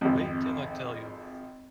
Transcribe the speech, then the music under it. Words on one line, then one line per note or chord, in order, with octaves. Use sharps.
Wait till I tell you.
G#1 F2